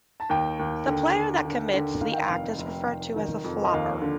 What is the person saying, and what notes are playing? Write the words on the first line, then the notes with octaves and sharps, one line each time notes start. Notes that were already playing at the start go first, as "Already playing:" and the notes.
The player that commits the act is referred to as a "flopper".
A5
D#2 G5
D#2
D3
D3
D3
D3
D#3 F5
G5
F1 F5
F1
F1
D#3
F2
D#5
D#2 F5
D3